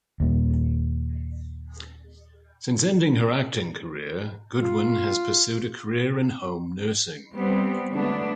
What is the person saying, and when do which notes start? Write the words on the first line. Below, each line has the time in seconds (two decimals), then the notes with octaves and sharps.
Since ending her acting career, Goodwin has pursued a career in home nursing.
0.20 D#2 A#2
4.59 F4
7.34 G3 B3 C4
7.94 D3 F#3 G#3 A3 B3 D4